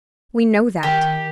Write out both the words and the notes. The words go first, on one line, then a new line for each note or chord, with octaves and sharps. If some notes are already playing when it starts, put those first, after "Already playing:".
We know that.
D#3 G4